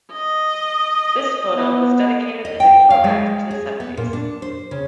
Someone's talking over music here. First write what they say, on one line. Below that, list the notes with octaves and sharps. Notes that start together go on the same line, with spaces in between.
This photo was dedicated as a throwback to the seventies.
D#5
B3
D#5
G5
F5
G#3
G#4
B3
A#2
D4
C5
C#3